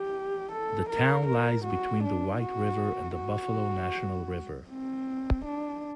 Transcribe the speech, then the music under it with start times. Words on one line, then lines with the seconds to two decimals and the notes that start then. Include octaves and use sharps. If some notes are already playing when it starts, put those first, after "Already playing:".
The town lies between the White River and the Buffalo National River.
Already playing: G4
0.52 A4
0.89 A#4
1.27 A#4
1.65 F#4
2.04 D4
2.41 F#4
3.18 F#4
4.69 C4
5.45 D4